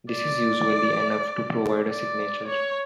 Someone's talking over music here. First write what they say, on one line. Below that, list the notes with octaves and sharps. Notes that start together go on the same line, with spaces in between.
This is usually enough to provide a signature.
D5
D5
C#5